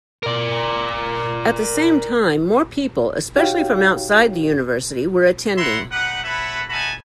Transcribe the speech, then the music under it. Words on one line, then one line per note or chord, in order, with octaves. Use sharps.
At the same time more people, especially from outside the university, were attending.
A#4 D5
D#4 F#4 G4 C#5 F5 G5
E4 D5 E5 F#5 A#5 C6
D#4 G4 B4 F#5
B4 C#5 E5 F#5 A5 B5
D#4 F#4 E5 G#5 A5 B5